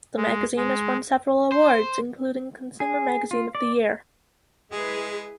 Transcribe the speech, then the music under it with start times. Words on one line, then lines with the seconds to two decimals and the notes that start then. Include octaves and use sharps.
The magazine has won several awards, including Consumer Magazine of the Year.
0.17 G#3
0.57 G#3
1.52 C5
2.80 G#4
3.31 F4
3.55 D5
4.71 G#3 E4 G#4 B4